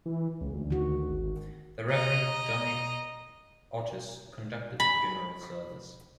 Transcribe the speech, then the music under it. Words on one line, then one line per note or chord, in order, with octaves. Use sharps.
The Reverend Johnny Otis conducted the funeral service.
E3
C#2
D2
D#3 F#4
G#1
D#5 A#5
B5